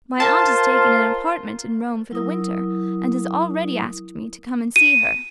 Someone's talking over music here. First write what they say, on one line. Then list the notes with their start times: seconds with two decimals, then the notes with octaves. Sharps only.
"My aunt has taken an apartment in Rome for the winter and has already asked me to come and see her."
0.20 F4 A#4 C5 A5
2.11 F#3 E4 A#4 D#6
4.76 D#7